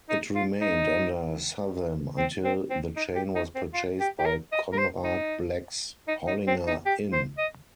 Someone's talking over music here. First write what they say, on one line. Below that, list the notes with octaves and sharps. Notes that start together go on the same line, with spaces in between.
It remained under Southam until the chain was purchased by Conrad Black's Hollinger In.
D#4
F4
D#4
C4
C4
C4
D#4
G4
D#4
C4
F4
G4
G4
A#4
D#5
A#4
C5
D#4
D#4
D#4
C4
D#4
G4
C5
D#5